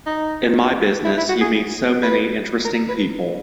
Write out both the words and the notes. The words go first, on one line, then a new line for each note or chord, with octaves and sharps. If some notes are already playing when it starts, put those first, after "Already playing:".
In my business, you meet so many "interesting people".
D#4
E4
E4
F#4
G#4
B4
A#4
B4